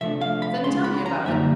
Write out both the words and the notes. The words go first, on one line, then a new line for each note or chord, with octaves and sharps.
"Then tell me about it."
C3 F3 A3 D4 E5
F5
B5
C#2 B2 G#3 C#4 C6
B5
A#5
F#2 D3 G3 A#3 D#4 E5